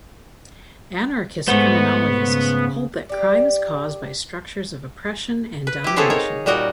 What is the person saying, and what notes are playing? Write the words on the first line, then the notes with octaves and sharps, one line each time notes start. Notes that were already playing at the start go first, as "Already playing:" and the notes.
Anarchist criminologists hold that crime is caused by structures of oppression and domination.
G#2 G#3 A3 B3 C5
C#3
G4 D5
B4
E4 G4
B3 C4 E4 G#4 A4 C#5
D#4 A#4 C#5
A#2 G3 D#4 F#4 A#4 D#5